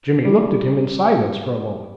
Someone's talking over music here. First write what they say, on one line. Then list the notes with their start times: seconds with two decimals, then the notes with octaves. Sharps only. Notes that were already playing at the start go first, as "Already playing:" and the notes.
Jimmy looked at him in silence for a moment.
0.25 G3